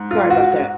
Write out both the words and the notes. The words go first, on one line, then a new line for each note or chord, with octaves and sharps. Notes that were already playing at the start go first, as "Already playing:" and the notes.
sorry about that.
Already playing: G#2
F4
F#4